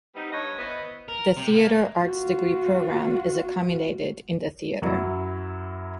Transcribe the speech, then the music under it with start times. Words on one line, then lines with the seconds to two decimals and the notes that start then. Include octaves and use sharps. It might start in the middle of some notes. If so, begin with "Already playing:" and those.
The Theatre Arts degree programme is accommodated in the theatre.
0.15 G3 B3 C4 D#4
0.32 G2 C#5 D#5
0.59 B3 E4 B4 C5 D#5
1.08 A#4
1.37 C3
1.55 A#3
2.02 F4 F#4
4.82 F#2 F#3 E4